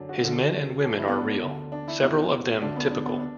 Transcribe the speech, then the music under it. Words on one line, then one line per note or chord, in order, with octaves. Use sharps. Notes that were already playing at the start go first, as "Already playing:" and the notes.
His men and women are real, several of them typical.
Already playing: F#2 D3 D4
F#4
D2 D3 F#4
F#2 E3 A4
E4
B3
D4
D2 D3
D4
E4
E2 B2 E4
D2 D3 D4
B3
D4
B3
D4